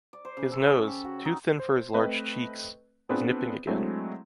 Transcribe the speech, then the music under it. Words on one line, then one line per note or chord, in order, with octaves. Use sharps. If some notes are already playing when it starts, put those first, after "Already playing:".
His nose, too thin for his large cheeks, was nipping again.
D5
C5
C#3
A4
C#4
G4
F#4
D#4
C5
A3 C4 B4 D#5 G5
B3 C4 D4 F4 G#4 B4
F#3 G#3 A3 C4 D4 E4